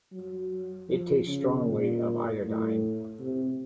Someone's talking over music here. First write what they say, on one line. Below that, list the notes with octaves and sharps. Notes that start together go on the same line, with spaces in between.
It tastes strongly of iodine.
F#3
F3
C#3
A#2
A2
C3